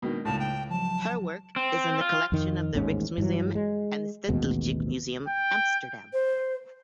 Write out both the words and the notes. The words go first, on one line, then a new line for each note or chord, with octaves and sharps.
Her work is in the collection of the Rijksmuseum and the Stedelijk Museum Amsterdam.
B2 D#3 G#3 A#3 D4
C#2 A2 A5
G5
F3 F#3 A5
C4
F4
F2 D#3
A1 D#2 G#2 C#4
G2 E3 F#3
G#3
A1 D#2 B2 G#3
G5
C5